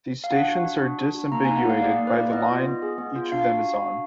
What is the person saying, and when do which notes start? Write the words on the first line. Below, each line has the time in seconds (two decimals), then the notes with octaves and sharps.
These stations are disambiguated by the line each of them is on.
0.24 F5
0.31 D4 F#5
0.48 F#4
0.65 F#4
0.81 D4
0.98 D4
1.15 F#4
1.32 A#3 A#5
1.44 G#5
1.49 D#4
1.57 F#5
1.65 A#3 F5
1.82 G#4 D5
1.94 D5
1.99 A#3
2.07 B4
2.15 D#4 D5
2.27 D5
2.32 B3 D#5
2.48 F4
2.66 B3
2.82 G#4
2.98 B3
3.16 F4
3.32 D4 F5
3.49 F#4
3.66 F#4
3.83 D4